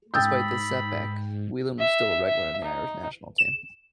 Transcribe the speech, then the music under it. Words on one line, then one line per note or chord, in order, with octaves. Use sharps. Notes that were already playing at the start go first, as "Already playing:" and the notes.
Despite this setback, Whelan was still a regular in the Irish national team.
G#2 G5 B5 D#6 E6 G6 A6
E5
E5
D#4
E7